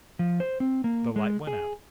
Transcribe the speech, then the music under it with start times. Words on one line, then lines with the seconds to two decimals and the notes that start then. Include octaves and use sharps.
The light went out.
0.19 F3
0.40 C5
0.60 C4
0.84 A#3
1.16 G#3
1.47 G#4